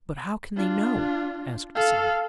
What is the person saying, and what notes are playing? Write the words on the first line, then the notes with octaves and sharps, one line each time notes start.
"But how can they know?" asked Asano.
D4 F4
A4 F5